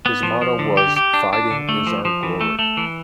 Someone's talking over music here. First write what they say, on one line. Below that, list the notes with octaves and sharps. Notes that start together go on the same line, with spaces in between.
His motto was: ""Fighting is our glory!
B3
F3
F3
D3
G4
G4
D4
D4
D3
A3
F3
F3
E3
A3
A3
E3